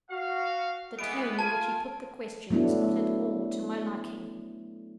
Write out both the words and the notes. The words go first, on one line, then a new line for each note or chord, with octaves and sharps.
The tone in which he put the question was not at all to my liking.
F#4 F5
E3 G#3 B3 D7
F4 G#5 A5
F#3 A3 B3 D4 E4